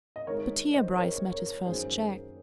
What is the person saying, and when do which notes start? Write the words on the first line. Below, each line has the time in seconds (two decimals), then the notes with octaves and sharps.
But here Bryce met his first check.
0.16 D#5
0.27 D#3 G#3 D#4 A#4 C#5
0.73 C5 D#5
0.97 A#4 C#5
1.32 A#4 C#5
1.66 F#2 D#3 A#3 D#4 G#4 C5